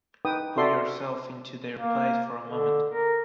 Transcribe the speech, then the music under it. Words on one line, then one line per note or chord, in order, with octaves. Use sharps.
Put yourself into their place for a moment.
D#4 B4 G5 D#6
F#4 A4 D5 E5 C6
A#3
D3
A#4